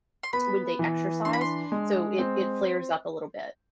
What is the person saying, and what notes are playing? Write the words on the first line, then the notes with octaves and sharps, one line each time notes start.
when they exercise, so it it flares up a little bit.
C6
B3 B5
E3
D4 C6
B5
C6
G#3
C4